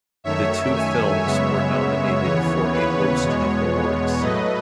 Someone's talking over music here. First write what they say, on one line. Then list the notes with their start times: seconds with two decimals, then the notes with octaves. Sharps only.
The two films were nominated for a host of awards.
0.24 F#2 D#3 A3 C#5 E5
0.74 E5 G#5
1.23 F#2 C#3 G#3 B3 C#5 E5
2.22 D#2 C#3 E3 B3 C#5
2.72 B4
3.21 E2 B2 G#3 B3 C#5
4.21 A2 F#3 A3 B4 D#5